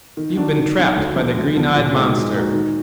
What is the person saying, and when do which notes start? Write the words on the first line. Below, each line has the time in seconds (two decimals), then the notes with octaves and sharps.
You've been trapped by the green-eyed monster.
0.17 D#3
0.36 F#3 D4 F#4
0.56 D#3
0.77 F#3 D4 F#4
0.96 D2
1.16 D3 F3 B3 D4
1.35 D2
1.55 D3 F3 B3 D4
1.75 A#2
1.95 G#3 D#4 F#4
2.14 A#2
2.34 G#3 D#4 F#4
2.54 D#3